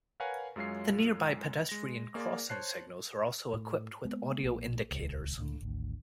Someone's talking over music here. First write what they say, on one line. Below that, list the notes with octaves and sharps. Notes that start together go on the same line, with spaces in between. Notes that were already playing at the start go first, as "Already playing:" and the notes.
The nearby pedestrian crossing signals are also equipped with audio indicators.
A#4 B4 C#5 F5 F#5 G#5
F#2 G#3 F4 C#5 C7
G#3 A#6
A#3 G#4 D5
C5 C#5 A5 F#6 C7
A2
G#3 A#3 B3
A#1 A#3
D#1 C#2
C#2 A2 D3
G#1 D2